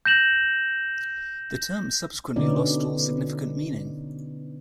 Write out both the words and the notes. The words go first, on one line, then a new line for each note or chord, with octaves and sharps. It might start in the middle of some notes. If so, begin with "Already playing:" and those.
The term subsequently lost all significant meaning.
G6 A#6 E7 F#7
B2 D3 B3 C#4 D#4 D5